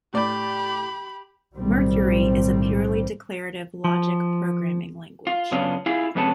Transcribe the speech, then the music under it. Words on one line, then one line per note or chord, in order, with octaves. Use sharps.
Mercury is a purely declarative logic programming language.
A2 G4 D5 B5
B1 A2 D#3 G3 C4
F3
F4
F#2 C#3 B3 C#4 D4 F4
E4 F4 G#4
F2 C3 G#3 B3 C#4 A5